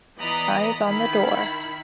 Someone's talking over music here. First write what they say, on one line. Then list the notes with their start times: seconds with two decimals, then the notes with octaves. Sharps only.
Eyes on the door.
0.16 E3 B3 D5 D#5 A#5 B5
0.84 D#3 E4 B5